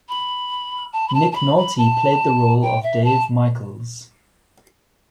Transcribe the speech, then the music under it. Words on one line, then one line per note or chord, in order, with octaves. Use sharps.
Nick Nolte played the role of Dave Michaels.
B5
A5
B5
A5
A5
B5
B5
A5
G5
E5
A5